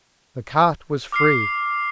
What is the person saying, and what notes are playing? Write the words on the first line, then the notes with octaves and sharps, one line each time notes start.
The cart was free.
D6 F6 C7